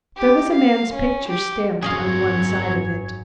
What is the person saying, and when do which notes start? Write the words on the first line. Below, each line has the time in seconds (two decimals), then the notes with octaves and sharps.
There was a man's picture stamped on one side of it.
0.17 G4
0.54 F5
0.94 C#4
1.29 G4
1.82 G#1 F#2 F#3 C4 G#4 C#5 D#5 F5